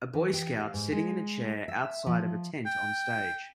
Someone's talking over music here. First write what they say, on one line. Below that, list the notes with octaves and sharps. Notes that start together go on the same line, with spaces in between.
A boy scout sitting in a chair outside of a tent on stage.
E3
G4
F5
G#2
G#3
E5
F3
G5